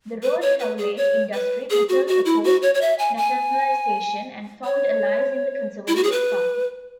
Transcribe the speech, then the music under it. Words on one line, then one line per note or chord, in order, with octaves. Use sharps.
The road haulage industry bitterly opposed nationalisation, and found allies in the Conservative Party.
B4
C#5
B4
G#4
C#5
B4
G#4
F#4
F#4
E4
F#4
C#5
C#5
E5
G#5
G#5
C#5
E4
F#4
G#4
B4